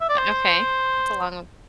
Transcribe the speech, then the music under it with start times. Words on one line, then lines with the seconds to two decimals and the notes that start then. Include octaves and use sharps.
Eh okay, that's a long
0.01 E5
0.09 D5
0.18 C5